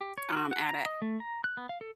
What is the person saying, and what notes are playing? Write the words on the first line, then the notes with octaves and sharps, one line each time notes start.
um, at at
G4
C#5
F#4
F#5
A#5
D#5
A3
A#5
F#6
B3
F5
A4